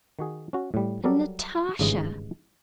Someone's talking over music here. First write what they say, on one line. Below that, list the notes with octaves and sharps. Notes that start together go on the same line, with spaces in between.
And Natasha!
D#3 F#4 G#4
C#4 F#4
A2 G3
F#3 G3 A4 A#4 D5
G#1 G2 C#3 E3 G#3 D#5